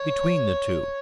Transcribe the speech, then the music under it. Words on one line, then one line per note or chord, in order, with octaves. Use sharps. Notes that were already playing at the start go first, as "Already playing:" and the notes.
"Between the two."
Already playing: C#5